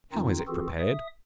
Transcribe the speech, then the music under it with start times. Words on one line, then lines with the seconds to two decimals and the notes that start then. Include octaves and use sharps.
How is it prepared?
0.13 F#2 D#3 C4 D#4 F4
0.48 E3 C4 F4 F#4 G#4 A4
0.79 E5 D#6